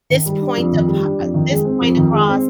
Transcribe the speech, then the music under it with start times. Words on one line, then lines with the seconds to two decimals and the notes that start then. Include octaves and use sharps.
this point of pa this point across
0.10 D#3
0.26 G3
0.42 D4
0.57 F2
0.72 D#3
0.88 G3
1.03 D4
1.19 F2
1.34 D#3
1.50 G#3
1.65 C4
1.81 F2
1.97 D#3
2.12 G#3
2.29 C4